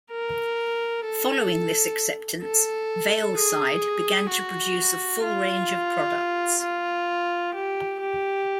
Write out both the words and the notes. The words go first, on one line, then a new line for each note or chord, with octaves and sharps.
Following this acceptance, VeilSide began to produce a full range of products.
A#4
A4
A4
G#4
F#4
F4
F4
G4
G4